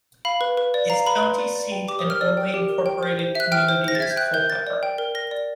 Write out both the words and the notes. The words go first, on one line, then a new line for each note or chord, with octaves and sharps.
Its county seat and only incorporated community is Culpeper.
F5 B5
B4
B4
D5
F5 A#5
B4 B5
B4 C6
D5
D5
G5
G4 D6
D#6
A#4
F6
D5 E6
G5
G4
A#4
G5
C5
C5
E5 F#6
G5 F6
C5
C5 A#6
A6
E5 G#6
G6
G5 F#6
A#4 G6
A#4 A6
D5
G5
A#4
A#4 A#6
D5